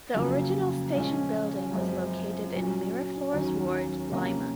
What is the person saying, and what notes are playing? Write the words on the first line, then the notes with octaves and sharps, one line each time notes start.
The original station building was located in Miraflores Ward, Lima.
F2 C#3 F#3 A#3
A#2 F3 G#3 C#4
F#2 F3 G#3 C4
A#2 F#3 C#4
D#2 D#3 F#3 C#4
C3 F3 A#3 C#4